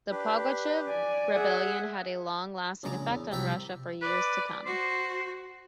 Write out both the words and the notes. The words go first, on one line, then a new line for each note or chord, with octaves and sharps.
The Pugachev rebellion had a long-lasting effect on Russia for years to come.
D4 G4 B4
D5 G#5
G#4 E5 F#5
A#1 C#3 G#3 D5 A#5
E2
C2 F3 D5 E5 G5 A#5
B4 D5
F#4 C5